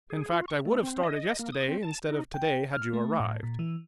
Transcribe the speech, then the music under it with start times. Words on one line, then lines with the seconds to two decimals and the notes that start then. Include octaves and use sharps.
In fact, I would have started yesterday instead of to-day, had you arrived.
0.10 G#4
0.32 F4
0.48 C#6
0.65 A3
0.82 C4
1.04 D#5
1.39 A#3
1.52 D#6
1.68 C4
1.83 A5
2.09 D#4
2.34 G5
2.73 F6
2.93 A3
3.20 A2
3.43 A#2
3.59 E3